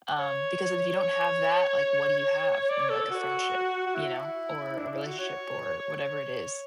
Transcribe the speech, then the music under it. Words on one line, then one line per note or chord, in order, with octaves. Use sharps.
um because if you don't have that, like, what do you have in, like, a friendship, you know, or a relationship, or whatever it is?
C#5
C#5
D5
C#5
A4
A4
F#4
F#4
E4
D4
E4
F#4
C#5
C#5